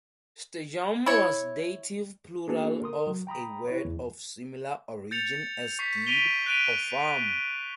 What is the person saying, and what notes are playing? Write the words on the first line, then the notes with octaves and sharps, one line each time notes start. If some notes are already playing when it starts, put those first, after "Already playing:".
"Stadhum" was dative plural of a word of similar origin as stead, or farm.
E4 C#5
A#3 B3 D4 F#4 G#4 A4
A#4 C6 D#6
F#3
G5 A#5 B5 D#6
E4 B4 C#5
E2
G6 A6 C#7 F7
C#6 B6 C7
C#6 B6 D7 D#7 F7 G7
F#6 B6 D7 D#7 F7